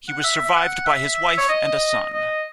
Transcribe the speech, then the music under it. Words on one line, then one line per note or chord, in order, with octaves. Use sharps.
He was survived by his wife and a son.
F#5
E5
E5
F#5
E5
C#5
D#5
D#5